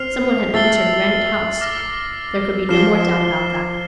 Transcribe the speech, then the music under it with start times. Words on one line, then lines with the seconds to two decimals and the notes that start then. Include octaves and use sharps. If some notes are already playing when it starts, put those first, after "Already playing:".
Some one had entered Granite House--there could be no more doubt about that.
Already playing: C4 F6 C7 F7
0.54 A3 E6 A6 C7 G7
1.61 D6 F6 A#6
2.69 F3 F6 C7 E7 G7